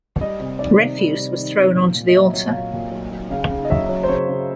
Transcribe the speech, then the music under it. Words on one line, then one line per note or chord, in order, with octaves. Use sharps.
Refuse was thrown onto the altar.
G3 D#5
C3
D#3 D5
C3
G3
C3
D#3
C3
A#2
A#2
D#5
F#3 E5
F#3
A#2 F5
A#2
F#3
F#3
C#3 F5
C#3
D#5
F#3 E5
F#3
C5
C#3 C#5
C#3